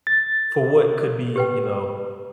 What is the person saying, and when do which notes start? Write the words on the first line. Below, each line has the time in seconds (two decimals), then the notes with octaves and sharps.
for what could be, you know,
0.07 A6
1.36 G4 B4 G5